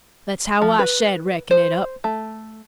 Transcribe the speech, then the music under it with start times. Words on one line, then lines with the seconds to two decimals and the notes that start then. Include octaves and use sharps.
That's how I shed reckon it up.
0.62 F3
0.79 B4
1.51 C5
2.04 A3